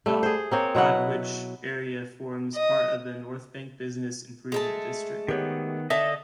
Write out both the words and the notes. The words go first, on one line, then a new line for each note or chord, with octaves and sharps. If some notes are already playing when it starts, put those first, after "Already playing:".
The Aldwych area forms part of the Northbank business improvement district.
G3 A3
G#4 C5
A#3 C4 C#5
B2 F#3 E4 F#5
D#5
G#3 A3 A5
D#3 B3 G4 C#5
D3 A4 D#5 E5 A5